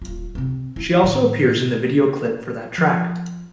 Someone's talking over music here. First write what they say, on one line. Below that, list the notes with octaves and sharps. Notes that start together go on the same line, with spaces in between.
She also appears in the video clip for that track.
D#1 F4
C3 C4
E4 F4
A2 D#3
F3